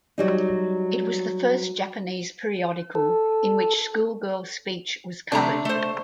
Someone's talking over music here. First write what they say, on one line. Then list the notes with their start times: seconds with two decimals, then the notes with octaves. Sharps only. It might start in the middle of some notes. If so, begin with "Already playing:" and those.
It was the first Japanese periodical in which schoolgirl speech was covered.
0.18 F#3 G3 D#4
2.95 A4
5.32 C3 A3 D4 A#5
5.65 A3 C5